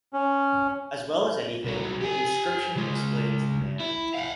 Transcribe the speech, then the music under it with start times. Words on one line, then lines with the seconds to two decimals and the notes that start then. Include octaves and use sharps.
As well as anything, the inscription explains the man.
0.13 C#4
1.64 C2 F#3
2.01 G4 G#5
2.76 C#3 G#3
3.80 E4
4.14 F5 F#5